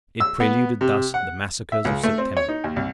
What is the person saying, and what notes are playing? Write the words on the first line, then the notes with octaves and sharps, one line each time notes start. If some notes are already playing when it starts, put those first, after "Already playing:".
It preluded thus the massacres of September.
E6
B3
C3
F#5
E5
C#2
A3
C4
C#5
D#4
D#2
C2